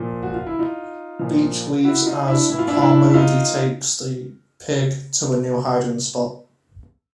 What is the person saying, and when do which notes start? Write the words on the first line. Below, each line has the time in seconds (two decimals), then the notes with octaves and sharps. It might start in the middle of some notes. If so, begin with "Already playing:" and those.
Beach leaves, as Carmody takes the pig to a new hiding spot.
Already playing: A#2 F3
0.23 F#4
0.34 F4
0.46 E4
0.59 D#4 F4
1.19 A#2 F3
1.84 E4 F#4
2.06 D#4 F4
2.28 D4 E4
2.50 A2 E3 E4
2.59 F4
2.68 D4 E4
2.76 F4
2.82 D4 E4
3.10 E4
3.14 D#4 F4